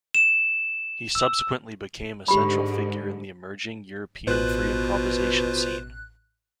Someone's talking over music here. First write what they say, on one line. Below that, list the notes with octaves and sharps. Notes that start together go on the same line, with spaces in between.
He subsequently became a central figure in the emerging European free improvisation scene.
E7
E6
G#2 D3 G4 B5
A1 B2 F4 B4 C5 F#6